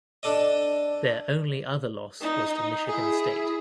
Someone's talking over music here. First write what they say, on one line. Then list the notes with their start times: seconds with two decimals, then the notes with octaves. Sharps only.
Their only other loss was to Michigan State.
0.23 D4 A4 D5 D#5
2.21 D#4
2.86 E4 G#4